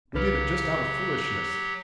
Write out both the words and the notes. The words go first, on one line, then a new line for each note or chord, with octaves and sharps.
We did it just out of foolishness.
C2 C#3 F#3 G4 B4 F6